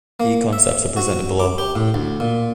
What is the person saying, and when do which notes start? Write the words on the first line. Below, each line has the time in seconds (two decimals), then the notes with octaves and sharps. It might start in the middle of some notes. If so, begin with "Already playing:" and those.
Key concepts are presented below.
0.20 A#3
0.53 E5
0.97 F#4
1.39 D6
1.58 G4
1.75 A2
1.94 D2
2.20 A#2